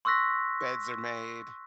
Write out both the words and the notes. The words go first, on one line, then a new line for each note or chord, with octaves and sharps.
beds are made,
C6 C#6 E6 F#6 A#6 B6